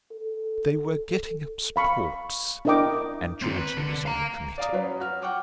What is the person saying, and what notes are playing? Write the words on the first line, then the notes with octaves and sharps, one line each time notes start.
They were getting up sports, and Georgie was on the committee.
A4
F5 B5 C#6
D4 E4 A#4 D#5 G5 D6
D#3 C4
B4
D3
F5 A#5
D5 F5 A#5 D#6
F#3 C#4 B4
F#4 F6
F#5 G5 C#6 D6 F6